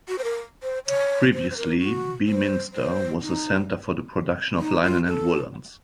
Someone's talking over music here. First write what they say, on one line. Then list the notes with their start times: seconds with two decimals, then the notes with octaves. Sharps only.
Previously Beaminster was a centre for the production of linen and woollens.
0.08 F#4
0.18 C5
0.24 A#4
0.63 C5
0.86 C#5
1.33 C5
1.51 C5
1.57 A#4
1.80 F#4
2.27 C5
2.73 C5
3.20 D#4
4.60 D#4
4.83 F4
5.06 A4